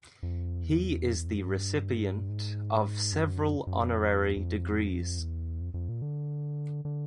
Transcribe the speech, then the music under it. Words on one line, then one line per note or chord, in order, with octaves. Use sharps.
He is the recipient of several honorary degrees.
F2
E2
F2
E2
F2
F#2
G2
G#2
F#2
F#2
F2
F2
E2
F2
F2
A#2
D3
D3